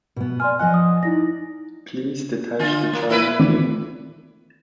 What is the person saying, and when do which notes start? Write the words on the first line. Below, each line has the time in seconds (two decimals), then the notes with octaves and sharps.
Please detach the charging cable.
0.16 B2 B3
0.40 D5 G#5 C6 F6
0.59 F3 D#5 F#5 G#5 F#6
0.74 D#6
1.03 D#4 E4 D5 A#6
2.59 D3 F4
2.93 A#3
3.09 A#3 E4 B4
3.40 D#3 E3 A3 C4 D#4 D5